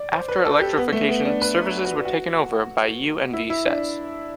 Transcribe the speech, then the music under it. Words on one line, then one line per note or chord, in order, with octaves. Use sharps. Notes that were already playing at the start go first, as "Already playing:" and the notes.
After electrification, services were taken over by U and V sets.
Already playing: D5
C5
B4
A4
G4
B3
A3
B3
D4
B4
F#4
F#4
E4
E4
D4